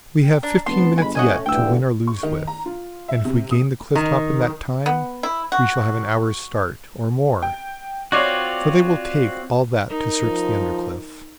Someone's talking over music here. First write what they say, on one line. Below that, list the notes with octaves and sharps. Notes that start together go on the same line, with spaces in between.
We have fifteen minutes yet to win or lose with, and if we gain the cliff-top in that time we shall have an hour's start, or more, for they will take all that to search the under-cliff.
G5
D4 A#5
F1 B3 A5 C6
G1 G#3 G#5 B5
A3 C#4 F#4 D#5 G#5
D2 G2 D3 E3 G5 E6
C#6
D#3
A#5
F4
E5
C3
D#6
D#3
B3
E4
F#4
G5
C4 F4 F#4 C#5 D5
D#4 A#4
F3